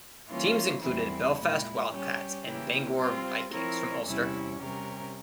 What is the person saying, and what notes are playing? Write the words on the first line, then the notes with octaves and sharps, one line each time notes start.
Teams included Belfast Wildcats and Bangor Vikings from Ulster.
E3 G3 A#3 C#4 F4
E2 E3 G3 C4 E4
A#2 G#3 E4
G3 C#4 G4
C#3 E3 A#3 E4 G4
G3 C4 F4
F3 C4 E4 A#4 C#5
E2 C3 G3 C#4 E4
C3 G3 C#4 G4 A#4